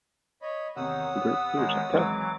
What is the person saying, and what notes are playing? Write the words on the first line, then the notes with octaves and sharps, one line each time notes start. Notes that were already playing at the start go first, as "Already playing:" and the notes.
The Great Believers, okay.
C#5 D#5 B5
E2 C3 D#3 C#5 F#5 D#6 E6
B3
D#3 G#3 B3 C#5
G#1 G#2 E3 F#3 D6